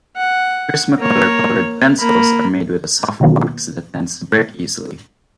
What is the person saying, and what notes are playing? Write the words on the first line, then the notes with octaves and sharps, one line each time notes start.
Prismacolor colored pencils are made with a soft wax that tends to break easily.
F#5
A#3 C#5
A#3 B5
B2 D#3 E3 F#3 A#3 B3